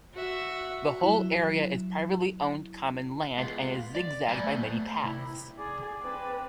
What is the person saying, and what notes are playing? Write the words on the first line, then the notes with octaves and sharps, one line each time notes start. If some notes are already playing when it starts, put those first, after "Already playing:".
The whole area is privately owned common land and is zigzagged by many paths.
F#4 E5
F#3 E4
G#3 B3 F4
D5
C2 A2 F#3 B4 D5 G#5
A3 B3 C5
C3 E4
G#4 D5
C4 B4